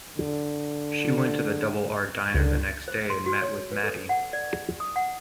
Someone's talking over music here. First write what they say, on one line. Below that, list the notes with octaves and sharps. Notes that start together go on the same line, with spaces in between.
She went to the Double R Diner the next day and met with Maddy.
D3
C#2 D3
C5
C6
F#4
C#5
B4
A4
F#5
D5
D#6
F#5